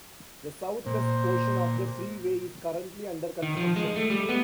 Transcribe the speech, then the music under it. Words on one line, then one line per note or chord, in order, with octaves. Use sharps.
The southwest portion of the freeway is currently under construction.
A#2 C5
D#3
F3
G#3
A3
G3
B3